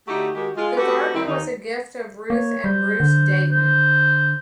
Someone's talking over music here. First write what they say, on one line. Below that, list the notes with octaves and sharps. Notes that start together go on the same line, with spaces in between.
The garden was a gift of Ruth and Bruce Dayton.
D3 A3 D#4 F#4 G4
D#3 G#3 F#4 G4
G#3 F4
A3 C4 F#4 G4 A4 B4
D#3 G3 C4 E4
D#2 D#4
A#3 C#5
G3 C5
D3
C5